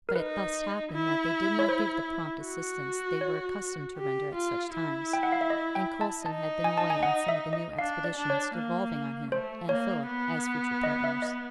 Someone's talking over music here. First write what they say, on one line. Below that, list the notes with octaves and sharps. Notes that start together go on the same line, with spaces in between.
But it thus happened that they did not give the prompt assistance they were accustomed to render at such times; and Coulson had been away on some of the new expeditions devolving on him and Philip as future partners.
A#4
D#4 B4
E4
C#5
C5
F#4
C#5
G4
F4
E4
G5
F#5
F5
E5
D#5
G5
A5
D#4 A5
G#5
A5
G#5
F#5
E5
D#5
D4 F5
D5
D4
C#5
A#3
A3 C5
A#3 C#5
B3
D#5
E5
D#5